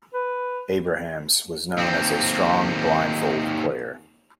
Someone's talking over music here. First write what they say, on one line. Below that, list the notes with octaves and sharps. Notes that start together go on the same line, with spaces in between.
Abrahams was known as a strong blindfold player.
B4
D#2 C4